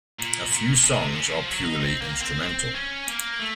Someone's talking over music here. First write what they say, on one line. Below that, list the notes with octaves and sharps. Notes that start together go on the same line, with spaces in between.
A few songs are purely instrumental.
A#2
A#2
C3
C#3
F3
F#3
D#4
C4
A#3
C4
C4
C#4
A#3
A3